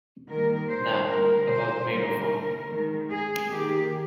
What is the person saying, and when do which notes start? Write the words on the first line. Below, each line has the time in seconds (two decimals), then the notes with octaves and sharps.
Now, about Manor Farm.
0.30 D#3 G3 A#3 A#4
0.71 C5
1.10 D3 G3 A#3 A#4
1.50 C5
1.90 D3 G3 A#3 A#4
2.70 D#3 G#3
3.11 G#4
3.51 D#3 A#3 G4